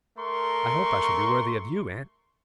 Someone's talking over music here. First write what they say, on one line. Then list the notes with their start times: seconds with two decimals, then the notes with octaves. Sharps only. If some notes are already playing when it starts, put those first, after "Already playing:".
'I hope I shall be worthy of YOU, aunt.
0.18 A3 A#4 C6 C#6